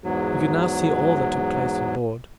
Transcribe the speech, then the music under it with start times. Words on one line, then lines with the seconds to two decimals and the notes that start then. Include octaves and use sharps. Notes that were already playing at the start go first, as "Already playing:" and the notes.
We could now see all that took place on board.
0.04 E2 G#2 F#3